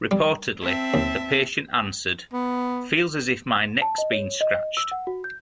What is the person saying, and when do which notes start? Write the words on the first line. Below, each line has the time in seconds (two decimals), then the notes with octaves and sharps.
Reportedly, the patient answered: "Feels as if my neck's been scratched".
0.11 G3
0.61 C4 E5 A5
0.94 D#2
2.33 B3
3.82 A5
3.98 D#5
4.13 C#5
4.41 D#5
4.77 E6
4.92 F#5
5.07 F#4
5.24 G6